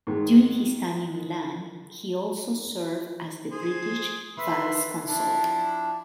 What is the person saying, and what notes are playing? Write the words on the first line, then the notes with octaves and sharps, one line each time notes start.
During his time in Milan, he also served as the British vice-consul.
G#2 D#3
G#4 C5
B4 E5 C6
F3 D4 E4